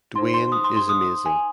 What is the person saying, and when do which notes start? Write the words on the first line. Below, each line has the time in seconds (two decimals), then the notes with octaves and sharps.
Dwayne is amazing.
0.15 D#4 C5 C6
0.34 C6
0.52 D#6
0.64 C6
0.76 C6
0.89 D#6
1.26 G#5